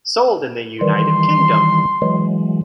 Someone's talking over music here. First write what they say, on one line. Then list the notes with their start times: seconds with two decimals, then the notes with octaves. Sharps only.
Sold in the United Kingdom.
0.81 D#3 E3 G3 C6
2.02 E3 F#3 G#3